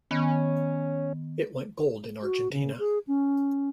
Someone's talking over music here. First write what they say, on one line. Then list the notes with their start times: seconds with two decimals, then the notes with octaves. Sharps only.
It went gold in Argentina.
0.11 D#3 B3 C#4
2.23 F#4
2.52 C#3
2.79 G#4
3.07 C#4